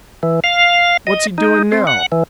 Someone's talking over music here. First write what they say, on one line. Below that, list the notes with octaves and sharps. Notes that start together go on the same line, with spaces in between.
"What's he doin' now?"
E3
F5
D#5
D#4
C4
F#5
E3